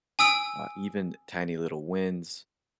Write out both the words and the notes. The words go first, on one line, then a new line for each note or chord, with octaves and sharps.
Uh, even tiny little wins
G#5 D#6 E6 D7